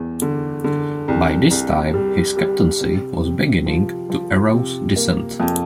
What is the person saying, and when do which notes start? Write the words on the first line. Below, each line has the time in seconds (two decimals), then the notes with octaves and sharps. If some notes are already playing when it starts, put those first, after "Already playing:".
By this time his captaincy was beginning to arouse dissent.
Already playing: E2
0.22 D3
0.64 D3
1.08 C2
1.51 C2
1.94 G3
2.37 G3
2.81 C3
3.23 C3
3.66 F3
4.10 F3
4.53 C3
4.96 A#3
5.40 F2